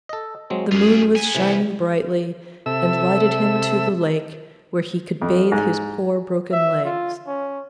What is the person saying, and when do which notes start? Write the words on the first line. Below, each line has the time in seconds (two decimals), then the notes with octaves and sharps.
The moon was shining brightly, and lighted him to the lake where he could bathe his poor broken legs.
0.09 A4 D#5
0.50 F#3 G#3 C4
0.72 F#2 F4 G#4
1.16 B3 G#5
1.35 C3 E3
2.66 C3 A4 E5 E6
5.21 F2
5.52 G#2
6.52 E5
6.85 F4
7.27 C#4